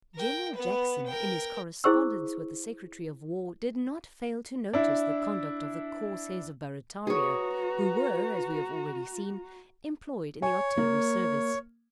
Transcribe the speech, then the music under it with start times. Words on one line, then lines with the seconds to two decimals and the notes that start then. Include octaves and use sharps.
General Jackson, in his correspondence with the secretary of war did not fail to notice the conduct of the "Corsairs of Barrataria," who were, as we have already seen, employed in the artillery service.
0.15 A#4 G5
0.55 B3 B4
1.06 A#4 G5
1.84 E4 G#4 C5 C#6 E6
4.73 D4 E4
7.07 F#4 G#4 B4 C#5 A#5
10.42 C#5 G#5
10.77 A#3